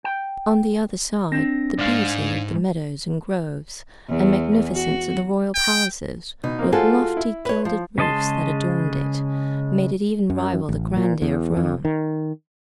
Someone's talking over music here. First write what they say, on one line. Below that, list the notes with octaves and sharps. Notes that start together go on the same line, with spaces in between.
On the other side, the beauty of the meadows and groves, and magnificence of the royal palaces, with lofty, gilded roofs that adorned it, made it even rival the grandeur of Rome.
G5
C4 D4 A#6
G#2 D5 F5
E2
F#4
G5
B2 D#4
A#3 C4
G#3 F4 F#4 A4 C5 G#5
E4
B4 C#5
F3
C#3 G#3 D#5 A5 C6
F#2
A1
A#2
E2
F2
D#3